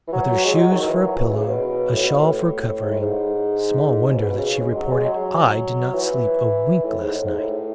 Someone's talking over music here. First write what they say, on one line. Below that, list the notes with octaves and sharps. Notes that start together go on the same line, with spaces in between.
With her shoes for a pillow, a shawl for covering, small wonder that she reported, "I did not sleep a wink last night."
E3
F#3
G#3
F#3
D#3
E3
F#3
E3
C#3
B2
A2
B2
A2
G#2
A2
G#2
C#3
B2
C#3
G#3
F#3
G#3
F#3
E3
A2
G#2
A2
G#2
A2